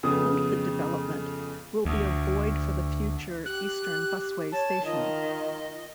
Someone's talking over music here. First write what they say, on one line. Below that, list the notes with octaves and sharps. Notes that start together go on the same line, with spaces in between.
Under the development, will be a void for the future Eastern Busway station.
F2 C#3 B3 D#6
D2
G4 F#6
C#5 A5
D#3 F4 D#5